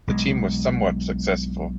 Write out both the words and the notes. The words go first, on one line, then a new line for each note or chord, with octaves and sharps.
The team was somewhat successful.
B1 G#3